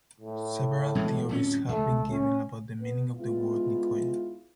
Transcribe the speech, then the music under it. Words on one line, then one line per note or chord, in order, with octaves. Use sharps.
Several theories have been given about the meaning of the word Nicoya.
A2
B2 E3 G#3
D1 F2 C#4
C#2 A3
C#4
B3
G#2 B3 E4 F4